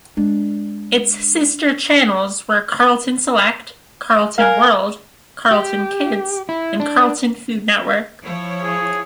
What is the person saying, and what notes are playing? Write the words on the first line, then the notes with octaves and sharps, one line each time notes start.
Its sister channels were Carlton Select, Carlton World, Carlton Kids, and Carlton Food Network.
G#3 D4
A#4 F5 G#5 F#6
G4
E4
D4
F3 E4 C#5
G#4